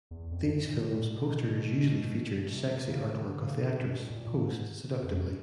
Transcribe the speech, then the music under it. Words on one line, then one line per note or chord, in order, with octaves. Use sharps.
These film's posters usually featured sexy artwork of the actress, posed seductively.
E2
F2
G2
F#2
A#2
A2
A#2
B2
B2
C3
C3
C#3
D#3
D3
C#3
C3
B2
A2
A#2
G#2
F2